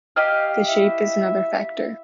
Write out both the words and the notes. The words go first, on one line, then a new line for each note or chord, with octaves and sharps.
The shape is another factor.
G4 D#5 F5
E4 E5